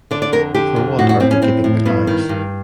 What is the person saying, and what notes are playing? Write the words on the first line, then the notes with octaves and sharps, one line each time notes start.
For what are they giving their lives?
D3 D5
D5
F2 A#4
D3 G4
F2
A2 F#4
F#4
A2 C4
C#4
A2 C4
A2
G2 B3
D#3
G2